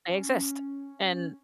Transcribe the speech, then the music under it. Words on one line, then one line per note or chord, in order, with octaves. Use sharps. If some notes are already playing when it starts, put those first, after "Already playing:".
they exist, and
C#4